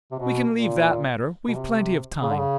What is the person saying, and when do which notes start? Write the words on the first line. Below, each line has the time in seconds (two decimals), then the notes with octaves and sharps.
We can leave that matter--we've plenty of time.
0.11 C3
0.19 B2
0.52 A#2
1.48 B2
1.55 C3
2.22 C#3
2.31 D3
2.38 C#3